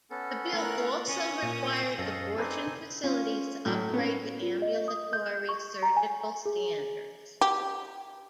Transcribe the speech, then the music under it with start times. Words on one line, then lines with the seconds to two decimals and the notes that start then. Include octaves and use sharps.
The bill also required abortion facilities to upgrade to ambulatory surgical standards.
0.11 B3 C#4 A4
0.53 A3 E4 A#4 F#6
1.07 C#4 C#6 D#6
1.43 A#2
1.98 F#2 A4 D#5 F5
2.36 C4 D#4 A4 B4 D5 G#5
3.04 C#4 F4
3.65 A2 F#3 A3
3.94 B3 C#4
4.42 F4
4.62 D#5
4.88 D#6
5.13 G6
5.49 C#6
5.83 A#5
5.96 G#5
6.46 G#4
7.41 G4